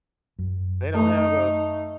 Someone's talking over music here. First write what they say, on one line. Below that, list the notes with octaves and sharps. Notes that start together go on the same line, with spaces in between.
They don't have a
F#2
A3 D#4